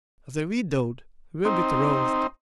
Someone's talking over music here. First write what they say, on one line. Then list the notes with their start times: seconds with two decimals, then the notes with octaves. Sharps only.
The widowed were betrothed.
1.45 C4 D#4